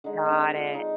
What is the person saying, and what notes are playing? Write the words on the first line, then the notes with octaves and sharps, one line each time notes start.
Got it.
D3 G#3 D#4
C4 D4
F4
D#4